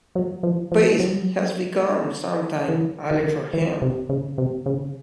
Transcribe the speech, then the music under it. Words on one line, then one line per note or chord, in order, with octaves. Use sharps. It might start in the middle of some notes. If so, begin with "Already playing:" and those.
Peace has become something alien for him.
F#3
F3
F3
F#3
G3
F#3
E3
D#3
E3
C3
C#3
C3
C#3